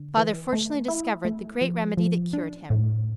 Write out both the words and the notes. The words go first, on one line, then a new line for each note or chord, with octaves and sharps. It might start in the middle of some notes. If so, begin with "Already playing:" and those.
Father fortunately discovered the great remedy that cured him.
Already playing: D3
E3
A3
E4
A3
F3
F3
D4
A2